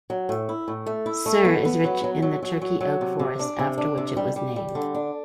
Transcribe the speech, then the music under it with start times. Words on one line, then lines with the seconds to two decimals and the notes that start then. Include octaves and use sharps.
Cer is rich in the Turkey oak forests after which it was named.
0.10 F#3
0.29 A2
0.49 E4
0.68 A2
0.86 A3
1.06 E4
1.26 A3
1.45 B3
1.65 B3
1.84 F#3
2.04 F#3
2.22 F#3
2.42 F#3
2.61 F#3
2.81 F#3
3.01 C3
3.19 C3
3.39 D4
3.59 C3
3.78 D4
3.97 C3
4.17 G3
4.36 G3
4.56 G3
4.75 D3
4.95 D4